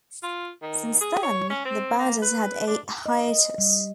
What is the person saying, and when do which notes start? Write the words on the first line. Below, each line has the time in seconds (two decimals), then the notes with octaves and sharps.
Since then, the band has had a hiatus.
0.23 F4
0.62 D#3
1.01 G#4
1.23 C#5
1.50 C#4
1.65 C4
1.99 A#3
2.22 B4
2.67 D4
3.06 D#5
3.28 D#5
3.58 G3